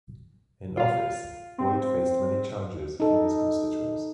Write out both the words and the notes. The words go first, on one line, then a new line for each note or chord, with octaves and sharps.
In office, Boyd faced many challenges from his constituents.
F4 F5
C4
D#4 A4